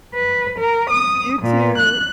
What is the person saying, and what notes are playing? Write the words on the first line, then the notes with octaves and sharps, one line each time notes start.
You too.
B4
A#4
D#6
A#2
F#6